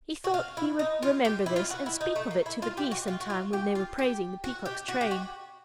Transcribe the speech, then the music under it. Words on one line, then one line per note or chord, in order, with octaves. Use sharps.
He thought he would remember this and speak of it to the Geese some time when they were praising the Peacock's train.
F#4
F4
E4
D#4
F4
G4
E4
F4
F#4
E4
D#4
A3
A#3
E4
F4
G4
F#4
F4
F#4
F4
G4
F4
G4
F#4
G4
F#4
G4
F#4